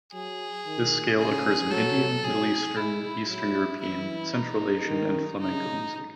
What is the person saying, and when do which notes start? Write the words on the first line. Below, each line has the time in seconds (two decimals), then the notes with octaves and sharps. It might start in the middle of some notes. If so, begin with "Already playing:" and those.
This scale occurs in Indian, Middle Eastern, Eastern European, Central Asian and Flamenco music.
0.13 F#3 G#4
0.66 D#3
1.18 C#3 G#4
1.71 F#3 A4
2.23 F#3 G#4
2.76 G#3 E4
3.29 F#3 E4
3.81 E3 E4
4.34 D#4
4.87 D#3
5.40 C#3 D#4